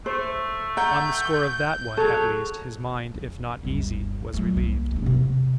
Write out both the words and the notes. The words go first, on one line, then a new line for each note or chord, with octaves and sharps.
On the score of that one, at least, his mind, if not easy, was relieved.
A3 C5
F#5 A#5 G6
F#3 G#4 A4 A5
E2
G1 D2
F#3 A3
C2 A#3
D1 D#4
C3